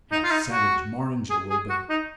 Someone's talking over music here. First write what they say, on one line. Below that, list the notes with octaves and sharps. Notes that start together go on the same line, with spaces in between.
How savage Morringer will be!
D#4
F4
D#4
F#4
G#4
G#4
F#4
D#4